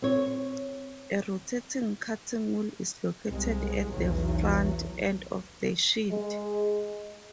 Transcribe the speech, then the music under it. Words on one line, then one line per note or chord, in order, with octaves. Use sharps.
A rotating cutting wheel is located at the front end of the shield.
C4 C#5
C2 G#3
B1 E2 F#3
G#3